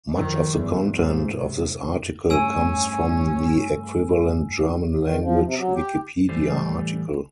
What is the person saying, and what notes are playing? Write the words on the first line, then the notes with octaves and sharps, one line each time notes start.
Much of the content of this article comes from the equivalent German-language Wikipedia article.
F2 D#3
G1 E2
G#2
C3
G2 A3 C#4 G#5 E6 D#7
D#3
F3
C3
F#3
G4
A2 E3 G3 A3 C5